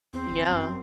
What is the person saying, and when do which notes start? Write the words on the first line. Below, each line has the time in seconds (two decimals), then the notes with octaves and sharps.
Mm yeah.
0.13 E2 C4
0.30 G1
0.51 F#2